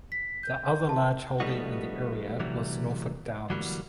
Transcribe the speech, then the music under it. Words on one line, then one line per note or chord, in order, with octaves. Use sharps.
The other large holding in the area was Norfolk Downs.
B6
G6
A5
F3 G3 A3 B3 D#4 F#4
C3 E3 F#3 G3 A3
D3 E3 F#3 G3 A#3